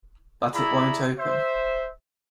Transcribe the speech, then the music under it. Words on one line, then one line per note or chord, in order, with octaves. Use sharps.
But it won't open.
E4 G#4 D5 E5 A#5 B5
C5 E5